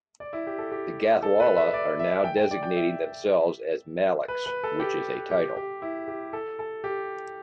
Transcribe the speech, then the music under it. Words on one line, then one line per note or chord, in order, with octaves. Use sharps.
The Gathwala are now designating themselves as Maliks, which is a title.
D5
E4
G4
A4
G4
A4
B4
E5
D5
E5
G5
G5
D5
G5
E5
B4
B4
A4
G4
G4
G4
E4
G4
A4
A4
G4